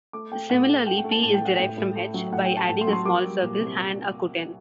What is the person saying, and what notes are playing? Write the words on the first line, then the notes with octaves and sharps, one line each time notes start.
Similarly, "p" is derived from "h" by adding a small circle, "handakuten".
A3 D6
A3 G5
A2 F#5
A3
A3 G5
G5
A3
A5
A2 A5
G5
A3 F#5
A2 G5
A2
A3
F#3
A2 F#5
G5
A3
A5
A2 A5
C6
F#3
C6
A#3 D6
G3
A#2
C2